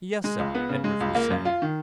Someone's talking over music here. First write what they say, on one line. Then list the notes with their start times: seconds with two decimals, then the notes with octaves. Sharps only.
"Yes, sir," Edwards was saying.
0.24 G#3
0.39 C#2
0.55 B3
0.69 C#3
0.84 G#3
1.01 C#2
1.15 A#3
1.30 F#2
1.45 F4
1.62 D#3